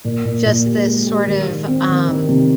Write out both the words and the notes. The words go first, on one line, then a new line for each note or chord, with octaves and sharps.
just this sort of, um
A#2
A#2
A#2
G4
G#3
G4
D#3
D#3
C4
D#3
D#3
C3